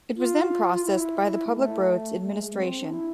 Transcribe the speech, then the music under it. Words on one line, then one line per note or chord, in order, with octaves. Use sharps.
It was then processed by the Public Roads Administration.
F4
F4
E4
G#3
A3
A3
G#3
G#3
C4
D4
E4